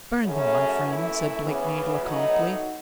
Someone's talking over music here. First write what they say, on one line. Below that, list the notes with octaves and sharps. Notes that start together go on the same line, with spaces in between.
"Burn them, my friend," said Blakeney laconically.
F#2 C#3 F#3 A3 C#4
F#2 E3 A3 E4
C#3 E3 B3
A2 F#3 B3 D#4